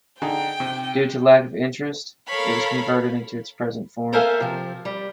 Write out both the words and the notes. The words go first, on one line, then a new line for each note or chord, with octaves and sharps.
Due to lack of interest, it was converted into its present form.
D3 D#4 G#4 G5
C3
A4 A#4 C#5 F5 B5
A4 A#4 C5 E5 F5 G#5
C3 F3
G3